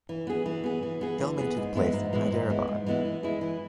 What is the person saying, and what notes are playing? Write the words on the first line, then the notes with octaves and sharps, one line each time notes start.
Filming took place in Hyderabad.
E3
B3 G#4
E3
B3 G#4
E3
B3 G#4
E3
B3 G#4
G#2
E3 G#3 B3 E4
G#2
E3 G#3 B3 E4
G#2
E3 G#3 B3 E4
G#2
E3 G#3 B3 E4
E3
G#3 E4 G#4
E3